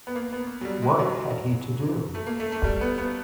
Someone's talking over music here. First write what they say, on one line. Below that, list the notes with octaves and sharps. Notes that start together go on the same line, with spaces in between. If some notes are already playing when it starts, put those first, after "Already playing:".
What had he to do?
B3
A#3
B3
F#3
G3
G#3
F#3
A3
A#3
A3
A3
G3
B3
B3